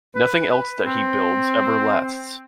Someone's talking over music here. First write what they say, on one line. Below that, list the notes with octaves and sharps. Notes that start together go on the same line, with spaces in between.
Nothing else that he builds ever lasts.
B4
C4